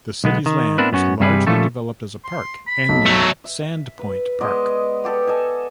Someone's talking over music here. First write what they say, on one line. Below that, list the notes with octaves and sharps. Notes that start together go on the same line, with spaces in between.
The city's land was largely developed as a park and named Sand Point Park.
B1 G#3 B3
D#3
B3 C4 D4 E4 A#4 B4
F#2 B3 C#4 F#4
G2 C3 G3 G#4 B4
A#2 F3 G3 A3 C#4 A4
C6
B5
B1
F#3 A3
E5
B4
G#3 B3 D5 D#5
B3 G4 A4 F#5
A4 D#5 G#5